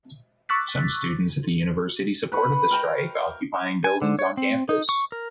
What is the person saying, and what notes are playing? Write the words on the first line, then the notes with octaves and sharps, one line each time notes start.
Some students at the university supported the strike, occupying buildings on campus.
C#6 D6 E6 F#6 A6 B6
B4 B5 C#6
A#4 G5 A#5
G#5
D3
C#5
C4
D#4
C#6
A#4